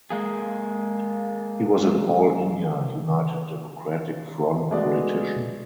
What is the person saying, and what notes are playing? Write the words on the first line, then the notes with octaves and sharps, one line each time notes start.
He was an All India United Democratic Front politician.
G#3 A#3 G#4
G#3 A3 B3 F#4 D5